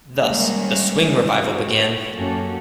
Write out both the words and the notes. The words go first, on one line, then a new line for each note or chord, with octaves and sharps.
Thus, the swing revival began.
D#3 G3 G#3 A#3 C#4
F#4
F#2 A#3 C#4 F#4 G4 A4